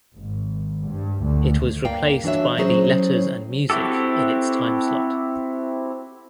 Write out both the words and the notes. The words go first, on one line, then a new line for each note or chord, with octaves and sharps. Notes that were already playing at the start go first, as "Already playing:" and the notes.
It was replaced by the "Letters and Music" in its timeslot.
G#1
G2
D2
G2 A#3 D5 F5 G5
E3 D4 F#4 C#5 E5
A2 F#3 C#4 G#4 C5 C#5
C4 E4 F#4 G4 A4